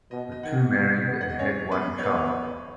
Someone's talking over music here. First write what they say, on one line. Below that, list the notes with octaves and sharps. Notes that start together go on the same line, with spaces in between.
The two married and had one child.
B2 D#5
D#5
D#3 F#5
B3
B3
F#5
D#5
C#4 C#5
B3 B4
C#5
B3 B4